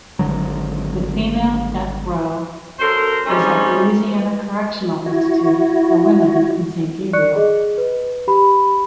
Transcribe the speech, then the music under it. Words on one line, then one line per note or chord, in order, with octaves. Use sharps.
The female death row is at Louisiana Correctional Institute for Women in Saint Gabriel.
G#1 D2 D3 F#3
F#2 A4 A#4 C5 C6
G#2 C3 G3 C#4 D#4
E4 F#4
D5 C#6 F#6 C#7
G#4 D#5
B4
G4 B5